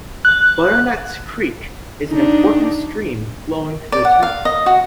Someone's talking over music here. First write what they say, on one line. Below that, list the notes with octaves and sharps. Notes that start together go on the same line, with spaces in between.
Butternuts Creek is an important stream flowing through the town.
F#6
D4 D#4
D5
F#5
F5
D#5
F#4